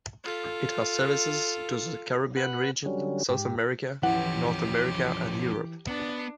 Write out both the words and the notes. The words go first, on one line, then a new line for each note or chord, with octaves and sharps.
It has services to the Caribbean region, South America, North America and Europe.
F4 A4
B4 F#5 F#6
D3 F#3 G3 C#4
G#2 G4
E3 F3 C#4 G4 F#5
B3 D4